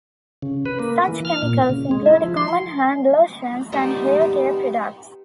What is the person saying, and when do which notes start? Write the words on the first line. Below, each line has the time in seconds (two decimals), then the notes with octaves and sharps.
Such chemicals include common hand lotions and hair care products.
0.42 C#3
0.66 B4
0.80 A#3
1.08 E3
1.25 F6
1.43 A#2
1.70 C#3
1.91 G#3
2.06 E4
2.24 F3
2.37 C6
3.72 G3 B3 C4 D#4